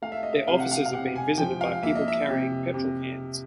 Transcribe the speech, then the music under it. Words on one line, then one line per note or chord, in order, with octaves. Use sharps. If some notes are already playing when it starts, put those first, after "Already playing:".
Their offices have been visited by people carrying petrol cans.
A3 F5
E5
D#5
E5
C3 F5
F#5
F5
F5
C3 F#5
G#5
F3 G5
F5
A#3 E5
D#5
E5
C3
C3